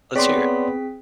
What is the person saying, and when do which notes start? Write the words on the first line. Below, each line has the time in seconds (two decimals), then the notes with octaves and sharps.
Let's hear it.
0.16 B3 C4 G#4 C#5 D5 C6 B6